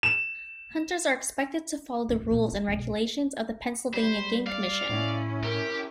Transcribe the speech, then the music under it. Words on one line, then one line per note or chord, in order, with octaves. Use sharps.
Hunters are expected to follow the rules and regulations of the Pennsylvania Game Commission.
E7
F2 G#3
A#1 B3
F#3
D#1 B1
G3 C5 B5
D5 F5
A2 C#4 E4
G4 A#4